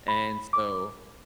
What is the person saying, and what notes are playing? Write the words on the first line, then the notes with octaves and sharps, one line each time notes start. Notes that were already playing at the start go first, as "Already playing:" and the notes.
and so
B5
D6